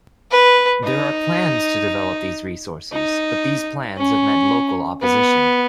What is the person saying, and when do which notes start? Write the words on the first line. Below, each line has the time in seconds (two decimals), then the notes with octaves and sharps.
There are plans to develop these resources, but these plans have met local opposition.
0.31 B4
0.84 D#4
2.93 D#4
3.97 C#4
5.02 B3